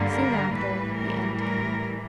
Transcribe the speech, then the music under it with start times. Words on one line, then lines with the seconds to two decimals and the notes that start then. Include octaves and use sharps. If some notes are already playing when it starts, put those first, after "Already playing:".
Soon after, the end came.
Already playing: G2 D3 G3 A#3
0.13 A#4
0.55 A2 E3 G3 B4
0.96 A#4
1.39 A#4